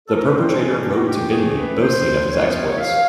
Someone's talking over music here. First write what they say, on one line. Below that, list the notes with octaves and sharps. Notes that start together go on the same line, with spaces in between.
The perpetrator wrote to Binley boasting of his exploits.
A4
A#4
B4
A#2 G3 C4 C5
A4
G#4
G4
F#4
G4
A#2 F3 A3 G#4
B4
C#5
C5
E3 G3 B3 C#5
E5
F5